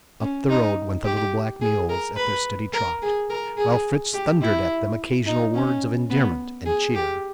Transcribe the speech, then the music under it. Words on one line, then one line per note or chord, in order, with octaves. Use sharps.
Up the road went the little black mules at their steady trot, while Fritz thundered at them occasional words of endearment and cheer.
C#4
D#4
G4
G#4
A#4
B4
A#4
G#4
A#4
G#4
G4
E4
D#4
C#4
B3
G#4
G4